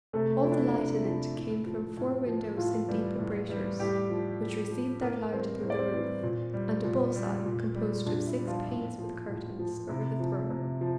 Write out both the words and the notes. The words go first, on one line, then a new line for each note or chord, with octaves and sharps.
All the light in it came from four windows in deep embrasures, which received their light through the roof, and a bull's-eye, composed of six panes with curtains, over the throne.
C3 A3 A4
F3 E4
D4
E4
C3 D4
F3 E4
A2 E4
F3
A2
F3
A2 F3 F4
E3 G3
A2
E3 G3
A2 G3 G4
F3
A2
F3
A2 A#3 A#4
E3 G3 C4 C5
A2 C5
D5
C4 C5
E3 G3
A#2
G3
A#2
G3
A#2
G3
A#2 D4
E4
G3
F3 F4
A2
F3
A2
F3
C3 E4
F3
C3
F3